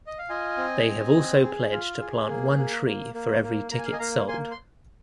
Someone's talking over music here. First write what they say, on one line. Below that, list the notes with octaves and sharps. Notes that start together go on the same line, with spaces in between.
They have also pledged to plant one tree for every ticket sold.
D#5
F5
F4 D#5 G#5
C4
C4
C4
G#4
F4
G#4
A#3
A#3
A#3
A#3
A#3
A#3 A#5
G#5
F5
D#5 G#5
A#3 F5 A#5
A#3 G#5 C6
C6